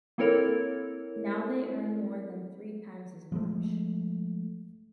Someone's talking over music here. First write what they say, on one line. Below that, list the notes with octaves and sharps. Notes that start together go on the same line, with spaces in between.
Now they earn more than three times as much.
A#3 C4 E4 A4 A#4 C#5
F3 G#3 A3